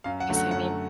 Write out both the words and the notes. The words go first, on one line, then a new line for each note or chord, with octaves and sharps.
guess I mean
F#2 F5
F#5
D3 F#3 A3
F#5
F#2 F#5